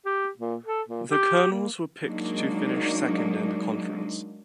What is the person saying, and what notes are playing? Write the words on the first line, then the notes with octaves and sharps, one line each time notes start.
The Colonels were picked to finish second in the conference.
G4
A#2
A4
A#2
G4
A#3
F#3 G#3 A#3 D4 D#4